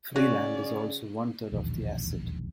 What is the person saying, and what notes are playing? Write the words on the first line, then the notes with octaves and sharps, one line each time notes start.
Freeland is also one third of The Acid.
C#3 C#4 F#4 D5
E1 A#1 D#2